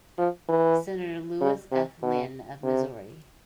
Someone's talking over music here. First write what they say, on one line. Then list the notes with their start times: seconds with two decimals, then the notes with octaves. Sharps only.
Senator Lewis F. Linn of Missouri.
0.18 F3
0.49 E3
1.41 C#3
1.72 C3
2.02 B2
2.63 C3